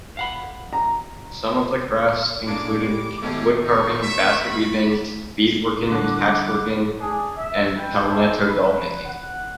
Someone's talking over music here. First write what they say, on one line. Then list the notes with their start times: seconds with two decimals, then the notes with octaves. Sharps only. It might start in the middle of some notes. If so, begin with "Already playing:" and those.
Some of the crafts included woodcarving, basket weaving, beadworking, patchworking, and palmetto-doll making.
0.17 F5 F#5 B5
0.73 A#5
2.47 G#3 A#3 D4 D6
2.83 G3 D6
3.22 D#2 B2 A3 C#4
3.64 D#4 C#6
4.02 E5
4.46 B5
5.89 D3 G3 D6 F#6
7.00 D4 G#4
7.36 E5
7.76 B4 G5
8.07 C4 E4 G#4 A4 C5 D5
8.45 B4
9.06 F#5